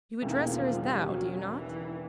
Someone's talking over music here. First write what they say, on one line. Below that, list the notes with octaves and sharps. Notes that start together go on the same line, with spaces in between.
"You address her as thou, do you not?"
E1 D#2 C#3 E3
F3
G3
F#3
E3